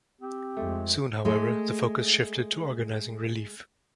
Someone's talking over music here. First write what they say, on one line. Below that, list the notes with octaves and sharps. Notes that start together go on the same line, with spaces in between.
Soon, however, the focus shifted to organising relief.
C4 G4
F2 G#3 A3
G#3 A3